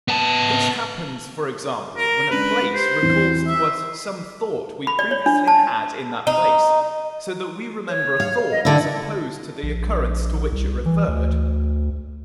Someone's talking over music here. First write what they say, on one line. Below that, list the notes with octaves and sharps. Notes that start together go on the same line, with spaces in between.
This happens, for example, when a place recalls to us some thought we previously had in that place, so that we remember a thought as opposed to the occurrence to which it referred.
B3 A5
A#4
G#3 C#4 D4 B4
G4 C5
E2 E3 C4
E5
B5
D5
C#5
D4
A5
D#4
C#5
F5
D#5
D3 E4 D5
A#1
C2
E3
D2